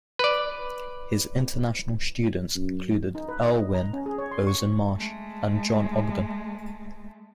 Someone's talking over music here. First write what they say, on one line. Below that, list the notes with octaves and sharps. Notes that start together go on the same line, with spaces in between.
His international students included Earl Wild, Ozan Marsh, and John Ogdon.
B4 D5
F#2
D#4
B4
D#5
A#5
C#4
G#4
C#5
C6
C#6
G#3 A3